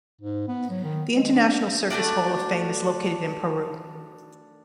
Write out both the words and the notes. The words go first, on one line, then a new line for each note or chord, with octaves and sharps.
The International Circus Hall of Fame is located in Peru.
G#2
B3
F#3
D#3
G#3
D4
A3 D4 F#4 D5